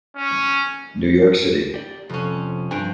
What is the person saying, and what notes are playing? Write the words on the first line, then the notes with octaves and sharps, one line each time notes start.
New York City.
C#4
G4 D5
F2 C3 F3 C#4
G2 F3 G5 G#5